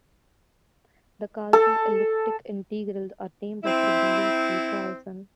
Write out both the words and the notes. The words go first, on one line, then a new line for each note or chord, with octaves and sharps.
The Carlson elliptic integrals are named after Bille C. Carlson.
A4
C4 E4